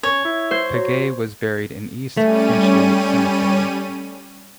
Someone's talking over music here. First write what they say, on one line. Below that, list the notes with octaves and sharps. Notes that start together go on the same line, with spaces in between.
Paget was buried in East Finchley Cemetery.
C#4 C#5
E4
C5
F#3
G3 A3 C#4 D#7